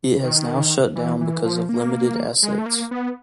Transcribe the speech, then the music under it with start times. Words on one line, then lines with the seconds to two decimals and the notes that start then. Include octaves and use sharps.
It has now shut down because of limited assets.
0.23 D#3
0.96 E3
1.21 E3
1.45 F3
1.69 A#3
2.43 G#3
2.59 A3
2.66 A#3
2.91 B3